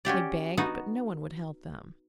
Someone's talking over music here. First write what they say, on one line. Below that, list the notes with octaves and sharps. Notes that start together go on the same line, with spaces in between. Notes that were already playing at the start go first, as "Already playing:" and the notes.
They begged, but no one would help them.
C#4 F#4 G4 D5
B3 D#4 F#4